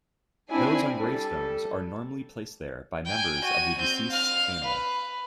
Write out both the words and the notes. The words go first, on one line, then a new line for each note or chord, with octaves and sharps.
Those on gravestones are normally placed there by members of the deceased's family.
C4 D4 E4 G#5
G3 A4
G5 G#5
F#4 D#7
C4 G6
F5 F6
B4